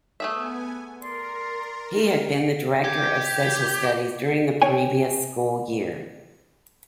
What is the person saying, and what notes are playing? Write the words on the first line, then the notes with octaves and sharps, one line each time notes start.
He had been the Director of Social Studies during the previous school-year.
A3 B3 G#4 E5 G#5
A#4 D5 C6
G4 G#6
C#5 G5 G#5